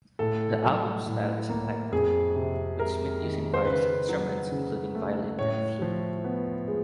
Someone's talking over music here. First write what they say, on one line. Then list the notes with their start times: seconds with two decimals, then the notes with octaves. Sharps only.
The album's style is eclectic, with Smith using various instruments including violin and flute.
0.19 A2 A4
0.63 F#3
1.06 A2
1.49 A#3
1.92 F2 G#4
2.35 C3
2.79 G#3 A#4
3.22 D#3
3.54 C5
3.65 C#3 B4
4.09 F#3
4.52 C#3
4.95 A3
5.38 A2 C#5
5.82 F3
6.24 B3
6.68 G#3